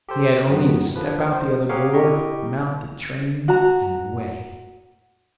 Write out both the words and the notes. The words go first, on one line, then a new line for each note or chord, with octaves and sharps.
He had only to step out the other door, mount the train, and away.
G4 A4 C5
F#2 C3 D#3 F#3 B3
D3 F3 B4
C5
G4 G#4 A#4 C#5 F5 F#5
E4 G4 A#4 D#5 C#6
F#4 A#5